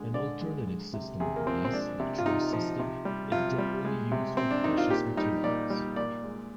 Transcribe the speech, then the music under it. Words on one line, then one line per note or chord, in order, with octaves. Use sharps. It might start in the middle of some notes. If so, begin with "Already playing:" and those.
An alternative system of mass, the troy system, is generally used for precious materials.
Already playing: D3 G#3
D3 D5
G#3
G#3
C3
C3 G#4
A#3
F3 C4
C4
G#3 D4
C3
F4
C3 D#4
F3
C3
G3
C3 F4
G3
G#3
C3
C3 C4
D4
D#3 D#4
F4
A#2 G4
G3 D#4
A#2 D5
G3
A#2 D5
G#3